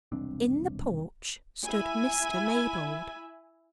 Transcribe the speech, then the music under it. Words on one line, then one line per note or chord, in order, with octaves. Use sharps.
In the porch stood Mr. Maybold.
E1 C2 C4 D4
E4 E5 G#5 B5